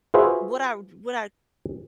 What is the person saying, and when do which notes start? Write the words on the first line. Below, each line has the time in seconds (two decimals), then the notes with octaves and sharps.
what I what I
0.14 F4 F#4 G#4 B4 C5 E5